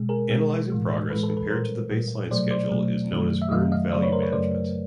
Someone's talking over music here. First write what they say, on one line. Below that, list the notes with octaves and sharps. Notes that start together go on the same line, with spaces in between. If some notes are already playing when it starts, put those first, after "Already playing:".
Analyzing progress compared to the baseline schedule is known as earned value management.
Already playing: B2 G#3
G#4 A#4
B2 G#3
A2 E3 G#3
A2 E3 G#3 A4 B4
A4 B4
A4 B4
A#2 G3 A#4 C5
A#2 G3
B2 F#3 A3 C5 D5
C5 D5
B2 F#3 A3
F#2 D#3 F#3 A3
E5
F#2 D#3 F#3 A3 D#5 F5
D#5 F5
F#2 C#3 F#3 A3 C5 D5
B4 C#5
A#4 C5
B4 C#5
F#2 C#3 F#3 A3 C5 D5